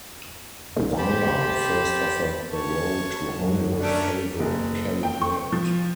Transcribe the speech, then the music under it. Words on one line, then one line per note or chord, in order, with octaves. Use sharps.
Wyler first offered the role to Hollywood favorite Cary Grant.
G4 C5 A5 B5
C#5 A5
F#2 F#3
A3 C#4 D4 A#4
F#1
G5
C#6
F3